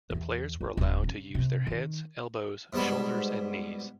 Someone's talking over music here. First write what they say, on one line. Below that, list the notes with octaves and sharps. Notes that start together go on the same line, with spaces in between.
The players were allowed to use their heads, elbows, shoulders and knees.
E2
F2
D1
C#3
C3
D#3
G#2 B2 G3 A5 B5